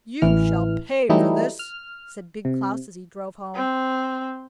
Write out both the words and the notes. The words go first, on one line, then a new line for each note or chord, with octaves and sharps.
'You shall pay for this!' said Big Klaus as he drove home.
A1 E3 F6
E3 F#3 G3 A3 D#4 E4
F6
C3
C4